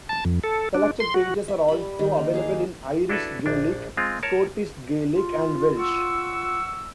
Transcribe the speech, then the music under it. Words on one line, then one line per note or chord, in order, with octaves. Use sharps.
Selected pages are also available in Irish Gaelic, Scottish Gaelic and Welsh.
A5
F2
A4
D4
C6
F#4
E5
G3 B5
D#3
A#3
G#4 F5
D4 E4 F#4 A4 B4 E5
A#1 D4
G#3 C4 F4
A#4 C#5 A5
F4
F#5 C#6 E6